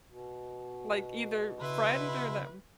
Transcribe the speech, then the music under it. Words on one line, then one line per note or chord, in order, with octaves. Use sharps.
Like either friend or them.
B2
C#3 E4 B4 C6